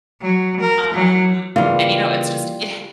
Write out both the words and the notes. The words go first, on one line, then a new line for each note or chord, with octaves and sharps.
um, and, you know, it's just it ha
F#3
A#4
F#3
C#3 E3 G3 A#3 F4